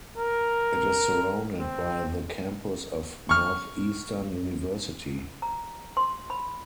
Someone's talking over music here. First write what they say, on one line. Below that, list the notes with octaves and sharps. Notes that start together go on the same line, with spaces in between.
It is surrounded by the campus of Northeastern University.
A#4
C4
C#6 F6
A#5
C6
B5